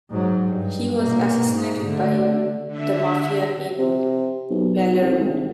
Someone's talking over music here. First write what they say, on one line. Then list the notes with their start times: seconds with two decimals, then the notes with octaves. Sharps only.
He was assassinated by the Mafia in Palermo.
0.10 G#2 F#3
0.45 G2
0.98 B2 A#3
1.45 G#2
1.84 D3 A3
2.67 D3 E5
3.78 C3
4.50 B1
5.01 C2
5.19 G#1